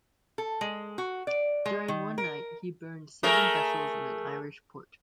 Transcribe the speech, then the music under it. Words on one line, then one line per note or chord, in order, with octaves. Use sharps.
During one night he burned seven vessels in an Irish port.
A4
G#3
F#4
D5
G#3
D#3
A#4
A3 G#4 A#4